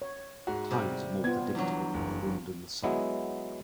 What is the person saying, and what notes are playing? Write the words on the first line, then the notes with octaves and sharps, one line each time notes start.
Tides are more predictable than the wind and the sun.
C#5
G#2 F#4
C3 G3
B3 F4 G#6
E2 G2 F#3
F#1
F#3 G#3 B3 E4